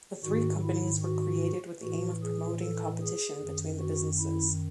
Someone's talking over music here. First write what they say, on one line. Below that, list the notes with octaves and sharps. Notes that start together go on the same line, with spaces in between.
The three companies were created with the aim of promoting competition between the businesses.
G#2 D#3 F#4
E4
F#4
A2 E3 F#4
G#4
A4
G#4
F#2 D#3
F#4
E4